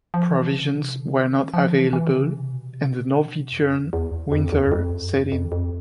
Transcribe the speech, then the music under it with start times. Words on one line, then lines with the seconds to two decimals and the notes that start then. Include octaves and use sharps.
Provisions were not available, and the Norwegian winter set in.
0.14 F3
0.33 E3
0.54 C#3
0.74 C3
1.00 D3
1.27 D#3
1.54 F3
1.73 E3
1.93 E3
2.13 C#3
2.33 C3
2.53 B2
2.73 C3
2.93 C#3
3.13 B2
3.33 C3
3.52 F#2
3.72 F2
3.93 E2
4.32 F2
4.52 E2
4.65 F#2
4.72 F2
4.92 F#2
5.12 G2
5.32 F2
5.52 F2